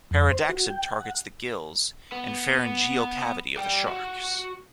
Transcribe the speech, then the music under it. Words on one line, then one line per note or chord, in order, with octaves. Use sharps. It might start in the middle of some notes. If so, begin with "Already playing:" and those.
Pardaxin targets the gills and pharyngeal cavity of the sharks.
F2
C5
F#4
G5
F#5
B3
D5 G5
F#4